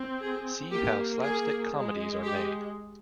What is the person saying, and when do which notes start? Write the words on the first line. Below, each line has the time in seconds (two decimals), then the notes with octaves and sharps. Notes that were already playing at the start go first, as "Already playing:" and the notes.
See how slapstick comedies are made.
Already playing: C4
0.21 G#4
0.71 A#3 G4
1.22 G#4
1.73 G#3
2.23 G4